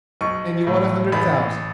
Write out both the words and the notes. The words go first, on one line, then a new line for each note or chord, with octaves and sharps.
And you want a hundred thousand.
B1 C#6
A2
A1 B5